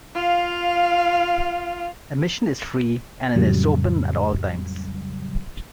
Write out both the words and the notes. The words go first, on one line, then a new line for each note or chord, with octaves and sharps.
Admission is free and it is open at all times.
F4 F5
F2 A2 C#3 F#3 G3